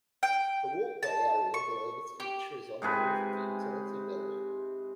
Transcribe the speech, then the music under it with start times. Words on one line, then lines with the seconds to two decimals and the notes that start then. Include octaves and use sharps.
The walkway area below this feature is on the roof of a utility building.
0.23 G5
1.03 A5
1.54 C#6
2.20 G4
2.82 G#2 C3 G#4 B4